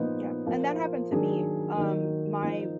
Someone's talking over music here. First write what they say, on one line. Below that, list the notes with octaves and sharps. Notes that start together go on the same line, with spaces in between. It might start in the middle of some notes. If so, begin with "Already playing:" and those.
Yeah. And that happened to me, um, my
Already playing: A#2 F3 B3 D#4
F3 A#3 F4
D#3 F#3 A#3 D4 G#4
D#3 F#3 A#3 D#4 A#4
F3 A#3 D#4